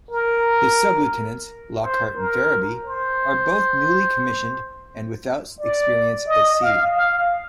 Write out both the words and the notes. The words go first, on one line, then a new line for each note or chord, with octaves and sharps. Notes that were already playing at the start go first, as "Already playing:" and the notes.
His sub-lieutenants, Lockhart and Ferraby, are both newly commissioned and without experience at sea.
A#4
C5
A#4
C5
D5
D#5
F5
F5